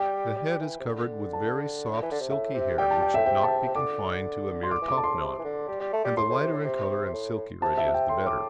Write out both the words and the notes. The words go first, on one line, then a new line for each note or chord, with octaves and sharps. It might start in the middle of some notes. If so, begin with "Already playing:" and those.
The head is covered with very soft silky hair, which should not be confined to a mere topknot, and the lighter in colour and silkier it is the better.
Already playing: G3 G5
G3
G3
E3
C3
D3
A5
E3
D3
C3
A2 E5
C3
G3 G5
A5
G5
A2 E5
C3 G5
A5
C3
D3 D6
C6
D3 D6
E3
D3 D6
A5
C6
A2
C3
E3
D3
G3
G3
A3
G3
A2 C6
A2
C3
A2
C3
C3
A2
C3 A5
E5
E5
G5
A2 C6
D6